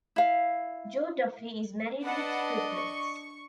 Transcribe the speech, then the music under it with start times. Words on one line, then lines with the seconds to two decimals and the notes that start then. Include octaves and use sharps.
Joe Duffy is married with triplets.
0.16 E4 F5
2.03 D4 B4 D#5 F#5 A5
2.73 C#6